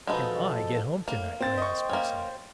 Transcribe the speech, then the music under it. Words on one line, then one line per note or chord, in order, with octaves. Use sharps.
"CAN I get home tonight?" I asked myself.
B2 F3 G#3 B3 D#4 A4
A2 A#3
C4 C5 G5 A6
D#5 C#6
A#3 C#4